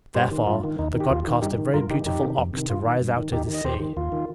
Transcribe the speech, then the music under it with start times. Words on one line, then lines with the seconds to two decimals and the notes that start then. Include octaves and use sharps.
Therefore the god caused a very beautiful ox to rise out of the sea.
0.15 G2 G4 C5
0.31 D#3
0.47 G2 F4
0.64 D#3
0.79 D#2 D#4
0.94 D#3
1.00 G4
1.10 D#2 F4
1.27 D#3
1.42 G2 D#4 G4
1.58 D#3
1.74 G2 F4 A#4
1.90 D#3 D#4 G4
2.05 F2 D#4 G4
2.22 C3 D#3
2.38 F2
2.53 C3 D#3
2.70 G2 F4
2.85 D#3
3.01 G2
3.17 D#3
3.32 D#2 D#4 G4
3.48 D#3
3.54 D#5
3.65 D#2 G4 C5
3.80 D#3
3.97 D#2 F4
4.12 D#3